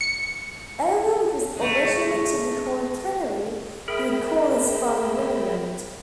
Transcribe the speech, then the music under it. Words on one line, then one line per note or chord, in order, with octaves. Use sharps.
Although it was originally to be called Canary, he would call his farm "Greenland".
C#7
G#3 A3
G#4 A#4 E5 G5 B5